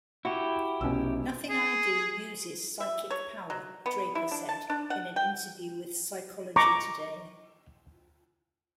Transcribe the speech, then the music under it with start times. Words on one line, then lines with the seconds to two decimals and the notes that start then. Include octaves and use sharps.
"Nothing I do uses psychic power," Draper said in an interview with Psychology Today.
0.25 E4 F#4 G4
0.81 F1 B1 B2 C#4 E6
1.49 G#4
2.80 E5
3.11 C#5
3.50 F#3
3.86 B3
4.15 E4
4.31 D4
4.49 A5
4.70 D4
4.90 F#5
5.16 G5
6.56 A#5 C#6 D6